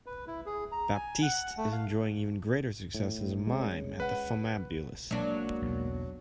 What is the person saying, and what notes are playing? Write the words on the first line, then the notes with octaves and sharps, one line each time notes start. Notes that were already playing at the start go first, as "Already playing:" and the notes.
Baptiste is enjoying even greater success as a mime at the Funambules.
B4
E4
G#4
A#5
G#5
F#5
A3
F5
A2
G#3 C#4
B4 F#5
F#3 G#3 A#3 D4
B1 E2